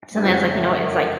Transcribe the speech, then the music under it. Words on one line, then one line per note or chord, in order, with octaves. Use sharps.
sometimes, like, you know, it's, like,
G2
F2 G#2 C#3 F3 G#3
A2
F#2